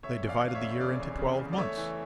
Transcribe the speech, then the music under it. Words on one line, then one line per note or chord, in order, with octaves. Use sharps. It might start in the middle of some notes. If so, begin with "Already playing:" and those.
They divided the year into twelve months.
F1 C#5 E5
E2
D5 F5
E2
F5
C#5 E5
F1
C#5
C#3 D5
E2
C#3
E2
D5
A3 C#5 E5
E3